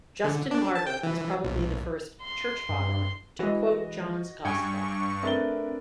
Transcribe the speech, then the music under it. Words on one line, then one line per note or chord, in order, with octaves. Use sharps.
Justin Martyr is probably the first "Church Father" to quote John's gospel.
D3
D4
A5
G5
E3
B1
C6
G2
E3 G#3 F#4 D#5
G2 G5 G#5 C#6 G#6 C#7
A3 C4 D4 A#4 B4 A6 G7